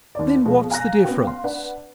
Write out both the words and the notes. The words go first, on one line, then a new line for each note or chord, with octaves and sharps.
"Then what's the difference?"
D#2 D5
B2 F3 G#3 A4
F5 G#5 A#5 F#6 A#6
B3 C#4 F#4 G5
F5 C6
D4 B4 F#5